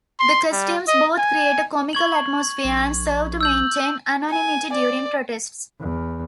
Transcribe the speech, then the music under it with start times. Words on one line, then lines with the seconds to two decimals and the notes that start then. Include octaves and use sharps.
The costumes both create a comical atmosphere and serve to maintain anonymity during protests.
0.19 C6
0.52 G3
0.88 D#5
1.18 G#5
1.93 C#6 G#6 F#7
2.64 A#1
3.41 E6 G6 F#7
4.30 G#5
4.72 D5
5.81 E2